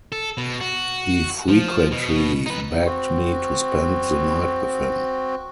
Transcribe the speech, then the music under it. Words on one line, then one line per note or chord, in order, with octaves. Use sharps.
He frequently begged me to spend the night with him.
A4
B2
F#4
F3
B2
D#4 B4
C4 F#4